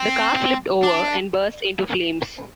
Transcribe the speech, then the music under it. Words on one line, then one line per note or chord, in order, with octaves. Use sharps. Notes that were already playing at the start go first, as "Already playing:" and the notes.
The car flipped over, and burst into flames.
Already playing: C4
D4